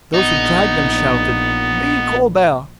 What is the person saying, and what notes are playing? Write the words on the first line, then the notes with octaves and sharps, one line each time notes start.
Those who dragged them shouted, "Vive Colbert!"
A#1 B3 D#4